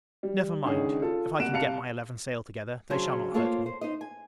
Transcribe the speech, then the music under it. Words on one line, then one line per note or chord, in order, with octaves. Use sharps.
Never mind; if I can get my eleven sail together, they shall not hurt me.
G3
C#2 D3 D#3 G#4 C#5
F4 A4
C2 A#3 F#5 F#6 D7 E7
C2 F5 A5 C#7 F7
C#3 F#3 C#4 D4 C5
A#3 F4 A4 C5 C#5
C5
D#4 C5 D#5
G#5